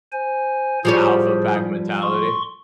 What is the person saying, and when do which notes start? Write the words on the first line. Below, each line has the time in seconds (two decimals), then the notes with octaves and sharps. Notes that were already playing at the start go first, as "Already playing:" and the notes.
Alpha pack mentality.
0.12 C5 G#5
0.85 A2 F3 G3 G#4 C5 C#5
2.02 C6 C#6